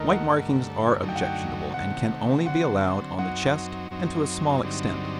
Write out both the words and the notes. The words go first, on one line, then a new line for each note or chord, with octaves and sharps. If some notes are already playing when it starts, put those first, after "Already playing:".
White markings are objectionable, and can only be allowed on the chest and to a small extent.
Already playing: D#2 D#3 A3 A4 A#4 D#5
F#5
G2 D3 A3
F#2 D3 F#3 A3 D#4
G5
F#5
G5
C3 D#3 A3 F#5
D3 F#3 C4 F#5
F#2 F#3 C4 D#4 F#5
F#2 F#3 C4 D#4
G2 D3 F#3 C4 D#4